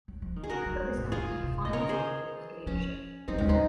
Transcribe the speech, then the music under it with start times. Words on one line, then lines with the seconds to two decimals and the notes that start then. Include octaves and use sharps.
I put this down to her fine example and leadership.
0.08 F#3
0.22 F3
0.36 D#3
0.44 G#4
0.50 C#3 F#4 A#4
0.66 F#3
0.81 G#3
0.91 F#3
0.97 A#2
1.01 G#2
1.12 F#2 F4 G#4
1.22 G#2
1.32 C3
1.43 C3
1.58 G#2
1.65 D#3 D#5
1.73 C#3 A#4 C#5
1.89 G#4 C5
2.66 F3 C#4
3.28 F#3 C4 D#4
3.38 G#3 C#4
3.46 F#3
3.49 C4 D#4